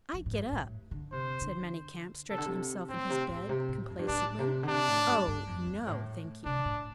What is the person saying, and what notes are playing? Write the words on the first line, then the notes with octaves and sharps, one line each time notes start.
"I get up!" said Manicamp, stretching himself in his bed, complacently, "oh, no, thank you!"
F2
A2
G2
A2
D3
C3 C5
D3
C3 A4
D3
C3
A2 C4
C3
A2
C3
A2
F2
G2
A2 D4
C3
D3
C3 D4
A2
G2
G2
F2
G2
A2
C3 D4
A2